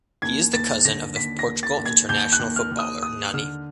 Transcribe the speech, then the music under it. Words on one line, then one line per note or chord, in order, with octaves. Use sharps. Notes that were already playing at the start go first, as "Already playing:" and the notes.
He is the cousin of the Portugal international footballer Nani.
D#2 G#6
D#2 A6
D3 A#6
D#2 B6
A#6
D#2
A6
D#2
G#6
D#2 G6
F#6
D#2
F6
D#2
D#6
D#2 D#6
D3 F6